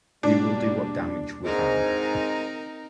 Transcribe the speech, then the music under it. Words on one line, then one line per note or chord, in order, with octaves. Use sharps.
We will do what damage we can.
B2 G3 A#3 D4
G#2 C4 D#4 A#4